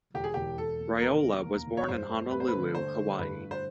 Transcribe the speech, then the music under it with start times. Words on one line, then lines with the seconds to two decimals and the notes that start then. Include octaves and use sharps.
Raiola was born in Honolulu, Hawaii.
0.14 E1 G4
0.24 G#4
0.34 E1 G4
0.58 E1 A4
0.80 E1
1.01 D#2 A#4
1.23 E1
1.45 D#2
1.67 E1
1.77 C#5
1.89 G2 C5
2.09 A3
2.31 A3 B4
2.40 C5
2.48 B4
2.53 D3
2.75 A3 C5
2.97 D3
3.19 G2 B4
3.40 D3
3.51 C5